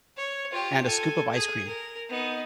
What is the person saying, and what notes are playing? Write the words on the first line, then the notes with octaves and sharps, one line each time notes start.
and a scoop of ice cream.
C#5
F4 G4
A4 G#5
G#4
A#4
B3 D#4